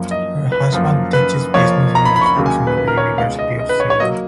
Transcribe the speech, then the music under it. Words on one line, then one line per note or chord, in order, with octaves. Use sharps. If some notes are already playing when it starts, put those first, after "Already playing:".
Her husband teaches business administration at the University of Seoul.
Already playing: F#2 F3 A#3
D#5
B4
F#2 F3 A#3
B4
F2 F3 A#3 C#5
A#5
B5
B5
C#6
B5
D#2 C#3 F#3 A#3
G#5
B4
B4
A#4
C#5
C#2 B2 G#3 F5
D#5
D#5
B4
C#5
C#5
F#3 A#3 D#5